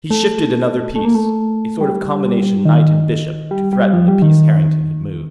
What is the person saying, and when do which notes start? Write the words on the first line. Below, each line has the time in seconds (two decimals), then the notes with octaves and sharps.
He shifted another piece, a sort of combination knight and bishop, to threaten the piece Harrington had moved.
0.11 A3
0.95 A3
1.05 A#3
1.15 A3
1.81 G3
2.65 D#3
3.51 G3
3.73 G3
3.93 F3
4.08 G3
4.22 D#3